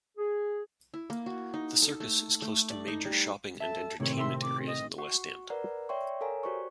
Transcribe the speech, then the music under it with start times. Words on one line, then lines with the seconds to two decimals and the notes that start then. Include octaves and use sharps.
The Circus is close to major shopping and entertainment areas in the West End.
0.18 G#4
0.94 E4
1.10 A#3
1.26 F#4
1.54 D#4
1.82 A4
2.00 A3
2.42 A3
2.70 D5
2.88 D#4
3.05 G3
3.60 A4 E5 A5
4.00 A2 C3 D#3 C4 C#5 F#7
4.17 C3 E5 C6
4.42 D6
4.67 D#5
4.98 F#4 F#5 C#6
5.50 A#4 B4 D5 F#5 A#5
5.89 C#5 D5 E5 G5 C6 C#6
6.21 A4 A#4 C#5 F5 G#5 A#5
6.43 F#4 G4 C5 D5 C#6